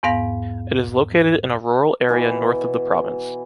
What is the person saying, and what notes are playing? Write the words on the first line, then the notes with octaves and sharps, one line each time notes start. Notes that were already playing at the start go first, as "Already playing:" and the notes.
It is located in a rural area North of the province.
E2 G#2 B3 F5 A#6
B2 E3 E5 A#5